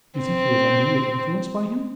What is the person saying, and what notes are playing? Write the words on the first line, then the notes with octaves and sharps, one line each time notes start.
"You think he was unduly influenced by him?"
C4